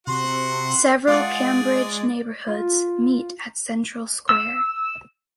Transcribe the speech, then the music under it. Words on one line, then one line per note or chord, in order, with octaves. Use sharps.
Several Cambridge neighborhoods meet at Central Square.
C3 F#4 F#5 C6
G#3 F4 G#4 D5 F#5
F4
E6